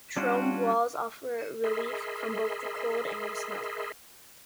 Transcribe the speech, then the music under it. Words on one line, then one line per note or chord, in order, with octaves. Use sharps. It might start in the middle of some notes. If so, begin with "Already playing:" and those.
Trombe walls offer relief from both the cold and the smoke.
G3 C#4 D4 F4 F#4
G#4 A#4 D#5 E5 B5 C6